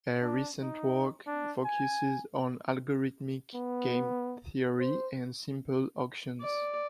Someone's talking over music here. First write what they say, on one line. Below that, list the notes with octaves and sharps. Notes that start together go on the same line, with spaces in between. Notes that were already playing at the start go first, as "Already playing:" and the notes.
Her recent work focuses on algorithmic game theory and simple auctions.
D4
D#4
D4
G#5
B3
C5
D5